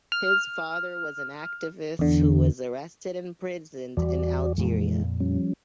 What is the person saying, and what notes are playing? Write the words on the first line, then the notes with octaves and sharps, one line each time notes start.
His father was an activist who was arrested and imprisoned in Algeria.
F6
E2 D3
E2 E3 G3 F#4 D5
F2 A#2 E3 G#3
F3 G3 C#4